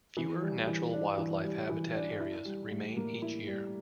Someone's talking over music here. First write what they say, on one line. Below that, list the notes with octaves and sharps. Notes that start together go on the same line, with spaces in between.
Fewer natural wildlife habitat areas remain each year.
E3
G3
E3
D4
E3
G3
E3
D4
E4
G3
A2
A#3
E4
G3